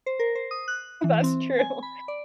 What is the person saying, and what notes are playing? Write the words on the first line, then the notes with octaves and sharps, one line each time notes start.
That's true.
C5
A#4
C5
D#6
F#6
E3
C4
G#5
B5
D5